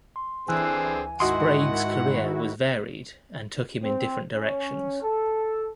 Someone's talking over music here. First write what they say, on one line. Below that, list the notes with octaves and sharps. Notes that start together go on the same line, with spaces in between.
Sprague's career was varied and took him in different directions.
C6
D3 E3 C4 G#4 G#5 E6 F#6
G#5
G#2 D#3 E4 F#4 D#5 F#5 C6
C4
C#4
A4